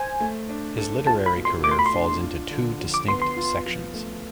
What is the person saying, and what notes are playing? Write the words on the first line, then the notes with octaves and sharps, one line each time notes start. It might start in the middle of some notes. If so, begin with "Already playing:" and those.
His literary career falls into two distinct sections.
Already playing: C5 G#5
A3
D4
A4
F4 A5
B5
B2
C6
A3 D6
C6
B5
C6
D4
F4
D3
F3
D6
B3 C6
C6
F4
F3
A3